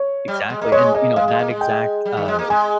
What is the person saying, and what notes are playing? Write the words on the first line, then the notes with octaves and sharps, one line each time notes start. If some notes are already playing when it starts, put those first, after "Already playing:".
Exactly and, you know, that exact, uh,
Already playing: C#5
G3
G#3
A#3 D#5
G#3 C#5
A#3 D#5
G#3 F5
G#3
A#3
G#3
G5
G3
D#3
G#3
A#3
G#3 G#5